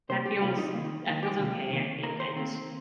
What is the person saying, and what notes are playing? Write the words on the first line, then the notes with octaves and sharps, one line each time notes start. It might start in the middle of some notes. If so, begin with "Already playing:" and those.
that feels that feels okay I think I just
C3 G3 A#3 C5
G4
C3 G3 A#3 F4
D#4
D#3 A#3
D#3 A#3
G4
C3 D#3 A#3
C3 D#3 A#3
D#3 A#3 A#4
C5
D#3 A#3 C4